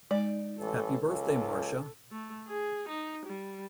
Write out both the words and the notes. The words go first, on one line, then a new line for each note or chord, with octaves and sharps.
Happy Birthday, Marsha!
G#3 D#4 D5
A1 A4
C#2 A4
A3
G#4
D#4
G3